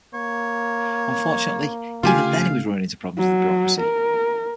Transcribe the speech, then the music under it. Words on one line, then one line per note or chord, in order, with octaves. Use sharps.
Unfortunately even then he was running into problems with bureaucracy.
A#3 C#5
C#3 A3 F4 G4 F5 G#5
F#3
A#4